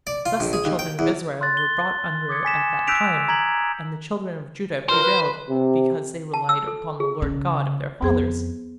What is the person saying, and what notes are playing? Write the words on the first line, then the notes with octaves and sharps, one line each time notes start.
Thus the children of Israel were brought under at that time, and the children of Judah prevailed, because they relied upon the Lord God of their fathers.
D5
F4
A#1
G#4
D#2
G5
E2
C6 F#6 A6
G7
D6 D#6 G#6 C#7
G#5 B6 E7
E6 F#6 G6 B6 D7 F7
A#5 G#6 B6 F#7
G2 F4 A#4 C5
B4
C3
A5
E6
A4
G#4
C#3
F2 B3 G#4 C5